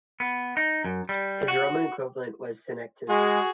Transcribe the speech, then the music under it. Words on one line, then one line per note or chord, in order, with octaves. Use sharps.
His Roman equivalent was Senectus.
B3
D#4
F#2
G3
F#4
G#3 F#4 G#4